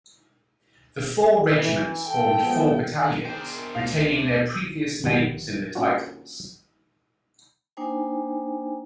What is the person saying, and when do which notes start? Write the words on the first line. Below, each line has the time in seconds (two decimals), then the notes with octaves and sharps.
The four regiments formed four battalions, retaining their previous names in the titles.
1.46 E3
2.07 A4 G5
2.42 F3 G#3 B3
3.25 B3 D4 G#4 A#4 C5 D#5 G5
3.75 D2 A3 F5
5.04 G1 G2 D#3 G3 F#5
5.75 A#3 C#4 D4 F4 F#4
7.77 A#3 D4 D#4 C5 G5 G#5